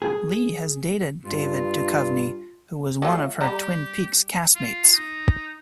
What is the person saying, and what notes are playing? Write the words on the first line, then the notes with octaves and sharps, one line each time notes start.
Lee has dated David Duchovny, who was one of her "Twin Peaks" cast-mates.
G#4
G2 F4
F#3 A3 F4
G3 G4 A#5
F4
D#4